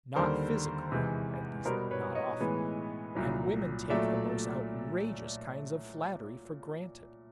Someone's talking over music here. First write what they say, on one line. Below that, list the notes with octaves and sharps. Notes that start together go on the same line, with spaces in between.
Not physically--at least not often--and women take the most outrageous kinds of flattery for granted.
D#2 D3 G3 A#4 C5
E2 C3 E3 G#3
B2 G3 B3 A#4 C5
B4 C#5
C#5 D#5
A2 E3 G#3 B3
C2 A#2 F#3
A#2 F#3 A3 D5 E5